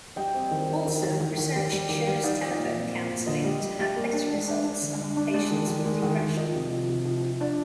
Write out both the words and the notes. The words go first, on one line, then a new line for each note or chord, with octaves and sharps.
Also research shows telephone counseling to have better results among patients with depression.
G3 D#5 G5
C4
D#3
D#3
D#3
D#3
D#3
D#3
G3
G3
D#3
G3
D#4 D5 F5
F3
A#2
C4
A#2
A#2
D3 D#5
G3
G3
G3
A#3
D4
G#3 D5
D4
D4
D3
D4
D4
G#3 D5
D#3
D#3
G#3
D#3
D#3
F3 D#5
C3
F3
C3
F3
F3
D4 D5